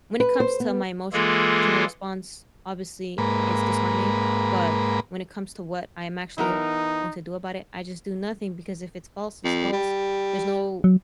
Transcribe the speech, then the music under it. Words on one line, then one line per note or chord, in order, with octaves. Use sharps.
when it comes to my emotional response, obviously, it's disheartening, but when it comes to what I'm actually going to do about it, I just do nothing, because if it's false, it's false, there's no
B4
C5
B3
E3 G#3 A#3 F4 G#4 A4
G#2 A#3 B4
E3 B3 D#4 A#4
F2
G3
F#3